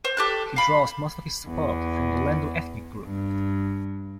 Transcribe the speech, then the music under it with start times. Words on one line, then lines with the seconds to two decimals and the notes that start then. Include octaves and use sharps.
He draws most of his support from the Lendu ethnic group.
0.05 C5
0.17 G4 A4 F#6
0.56 F5 B5
1.47 E2
3.04 G2